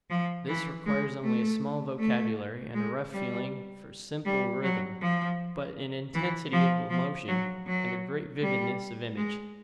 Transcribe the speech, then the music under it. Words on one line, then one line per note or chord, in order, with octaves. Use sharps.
This requires only a small vocabulary and a rough feeling for simple rhythm, but an intensity of emotion and a great vividness of image.
F3
E3
G#3
A3
A3
G#3
G3
G3
F#3
F3
E3
F3
F3
F#3
F#3
G3
G#3